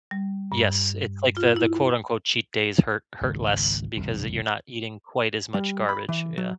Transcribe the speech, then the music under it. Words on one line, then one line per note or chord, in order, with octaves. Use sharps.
Yes. It's like the the quote, unquote “cheat days” hurt hurt less because, uh, you're not eating quite as much garbage, yeah.
G3
G2
F4
E4
G#1 C#2
E1 C2 F#2 D3
G3
B5
E3
F#3